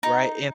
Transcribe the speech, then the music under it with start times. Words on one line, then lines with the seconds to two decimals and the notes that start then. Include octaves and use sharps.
right? And
0.03 D#4